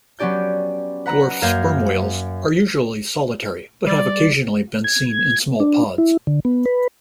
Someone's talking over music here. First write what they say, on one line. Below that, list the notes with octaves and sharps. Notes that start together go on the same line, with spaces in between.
Dwarf sperm whales are usually solitary, but have occasionally been seen in small pods.
F#3 B3 C#4 G4 D5 G6
B4 F#5 A#5
F#2 A#3 A#4 F5 G6 G#6
G3 D5
G#6
D4
E4
D3
B3
B4